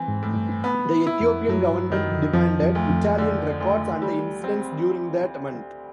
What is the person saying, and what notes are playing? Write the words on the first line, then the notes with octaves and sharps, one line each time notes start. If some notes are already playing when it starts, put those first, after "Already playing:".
The Ethiopian government demanded Italian records on the incidents during that month.
Already playing: E3 C4
G#2
A2
G2
B3
E4
F2
F#2 F#3
G2
F#2 D#3
F2
F2 F3
F2
D2
F2
D3
D2
G3
C4